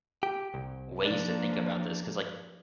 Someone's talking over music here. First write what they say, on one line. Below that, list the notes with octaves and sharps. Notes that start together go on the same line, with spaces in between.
ways to think about this 'cause like,
G4
C2
F3 A#3 D4